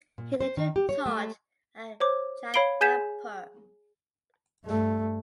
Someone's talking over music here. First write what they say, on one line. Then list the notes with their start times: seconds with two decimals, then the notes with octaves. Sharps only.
He later taught at Jadavpur.
0.18 A#2
0.41 C5
0.57 D#3
0.76 G4
0.89 C#5
1.06 A3
2.00 C5 C#5 D6
2.54 C#5 F5 B5 C7 D7 G7
2.81 G#4 G#5 G6 G#6 B6 E7
4.65 G2 A3